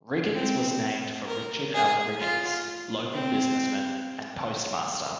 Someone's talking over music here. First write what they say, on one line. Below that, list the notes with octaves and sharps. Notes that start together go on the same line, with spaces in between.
Riggins was named for Richard L. Riggins, local businessman and postmaster.
C4
A#4
G#4
F4
C4